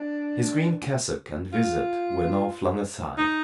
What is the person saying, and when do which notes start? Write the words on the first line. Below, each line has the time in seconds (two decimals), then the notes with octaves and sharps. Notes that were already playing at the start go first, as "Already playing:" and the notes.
His green cassock and vizard were now flung aside.
Already playing: D4
1.53 F4
3.18 D#4